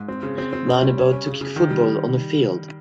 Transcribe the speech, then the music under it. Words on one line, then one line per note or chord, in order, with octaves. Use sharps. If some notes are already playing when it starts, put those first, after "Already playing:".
Man about to kick football on a field.
Already playing: G#2
C4
C#3
C4
C4
C#4
G3
C#4
C#4
C#3
C#3
D#3
G3